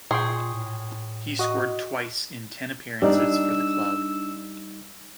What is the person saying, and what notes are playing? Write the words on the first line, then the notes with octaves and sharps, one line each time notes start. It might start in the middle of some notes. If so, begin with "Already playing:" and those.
He scored twice in ten appearances for the club.
A#2 G#4 G5 C6 C#6
A2
F#4 D#5
G3 D4 D#4 D5 E6